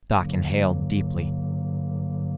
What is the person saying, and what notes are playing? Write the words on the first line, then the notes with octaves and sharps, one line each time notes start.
Doc inhaled deeply.
G2 D3 F#3 A#3